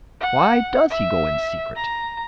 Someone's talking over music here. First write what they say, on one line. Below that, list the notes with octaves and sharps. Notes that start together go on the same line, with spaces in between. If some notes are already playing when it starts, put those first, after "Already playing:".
Why does he go in secret?
F#5
E5
A#5